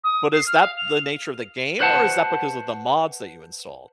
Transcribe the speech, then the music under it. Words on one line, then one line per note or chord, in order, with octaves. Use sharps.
But is that the nature of the game, or is that because of the mods that you installed?
D#6
C7
F6
F5
F7
B4 C5 F#5 A5